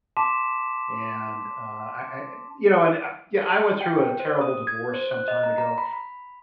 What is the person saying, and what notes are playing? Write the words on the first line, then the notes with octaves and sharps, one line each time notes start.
and, uh, I I e you know, and uh yeah I went through a terrible divorce some time ago
A5 C6 D6 B6 E7
G5
C5
D#6
G#6
C5
F#6
D#5
A#5
A#5
B5
B5